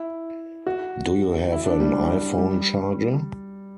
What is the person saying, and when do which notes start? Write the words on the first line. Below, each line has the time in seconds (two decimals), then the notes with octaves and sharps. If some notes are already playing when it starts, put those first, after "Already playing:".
Do you have an iPhone charger?
Already playing: E4
0.67 F#4
1.52 E4
1.66 D4
1.80 G3
2.38 G3